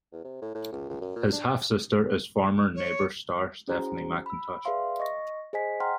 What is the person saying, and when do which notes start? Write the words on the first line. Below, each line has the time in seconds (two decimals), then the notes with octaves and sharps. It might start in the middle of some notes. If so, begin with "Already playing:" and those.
His half-sister is former "Neighbours" star Stephanie McIntosh.
0.12 E2
0.24 C3
0.42 A2
0.55 A2
0.72 C#2
0.89 C#2
1.01 F#2
1.16 A#2
1.33 D4
2.75 C#5
3.68 C#4 E4 F#4 G#4 C5 A#5
4.26 B5 E6
4.65 G#4 B4 D5 E5 F5 C6
5.00 D#5 C#6 A#6
5.53 G#4 C5 D#5 G#5 B6
5.80 F#5 G5 A#5 C6 F6